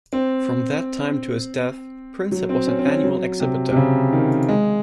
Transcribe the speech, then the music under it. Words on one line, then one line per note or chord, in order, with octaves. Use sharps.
From that time to his death Prinsep was an annual exhibitor.
C4
F#3
C4
C#4
C4
C#4
F#3
C3
C3
C#3
D#3
G#3